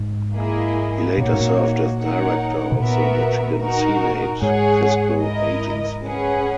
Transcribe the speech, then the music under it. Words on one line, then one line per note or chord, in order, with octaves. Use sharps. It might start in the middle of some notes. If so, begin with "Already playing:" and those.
He later served as Director of the Michigan Senate Fiscal Agency.
Already playing: G#2
A#3 E4 G#4 D#5
B2 A#3 D#4 F#4 C#5
A#2
G#2
A#2
D#4 A#4 C#5 F#5
B2
A#2 B3 F#4 A#4 E5
D#4 F#4 A#4
G#2 G#4 C#5 F#5
E4 A#4 D#5
C#4 G#4 B4 F#5